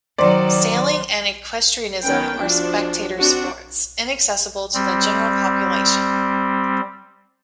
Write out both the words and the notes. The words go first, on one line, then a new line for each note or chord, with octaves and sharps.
Sailing and equestrianism are spectator sports, inaccessible to the general population.
D#3 F#3 C5 D5
D#3 B3 C#4 B4 G5
F3 D4 F#4
C4 D4 F#4
G3 C4